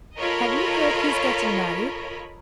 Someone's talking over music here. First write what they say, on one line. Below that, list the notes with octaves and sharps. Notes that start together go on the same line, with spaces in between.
Have you heard he is getting married?
F4 A4 A#4 C#5 D#5 B5